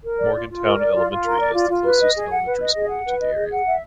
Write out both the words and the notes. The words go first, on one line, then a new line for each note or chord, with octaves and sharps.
Morgantown Elementary is the closest elementary school to the area.
A#4
D5
F4
F4
A#4
D5
F4
F4
A#4
D5
F4
F4
B4
D#5
G#4
F#5
B4
D#5
G#4
F#5
B4
D#5
G#4
F#5
E5